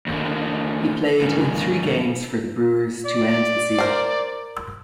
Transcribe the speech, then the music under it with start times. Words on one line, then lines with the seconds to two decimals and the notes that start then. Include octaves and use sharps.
He played in three games for the Brewers to end the season.
0.07 D#2 D3
1.21 D#2 G#2
3.06 D5
3.78 A#4 C5